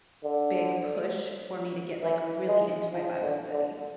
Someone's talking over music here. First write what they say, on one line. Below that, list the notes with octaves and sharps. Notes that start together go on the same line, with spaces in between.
big push for me to get, like, really into my Bible study,
D3
E3
G#3
F3
D3
D3